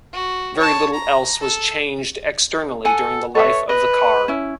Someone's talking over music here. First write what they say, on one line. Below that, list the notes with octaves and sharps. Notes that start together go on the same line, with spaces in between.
Very little else was changed externally during the life of the car.
F#4
C#5 A5
A#5
A4
A4 F#5 G#5
A4 B4 C#5 E5
B4 D#5
C#4 E4